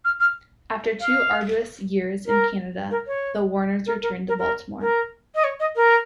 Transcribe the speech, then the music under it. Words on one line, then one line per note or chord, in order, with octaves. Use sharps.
After two arduous years in Canada, the Warners returned to Baltimore.
F6
F6
F5
A#4
A#4
C#5
A#4
A#4
A#4
A#4
A#4
D#5
C#5
D#5
A#4